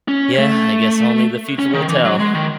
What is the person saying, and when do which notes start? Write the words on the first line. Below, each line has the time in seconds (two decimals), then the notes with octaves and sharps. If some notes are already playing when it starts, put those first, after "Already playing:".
Yeah, I guess only the future will tell.
0.08 C#4
0.39 A3
1.59 C#4
1.74 D#3
1.89 E3
2.05 F#3
2.19 G#3
2.34 D#3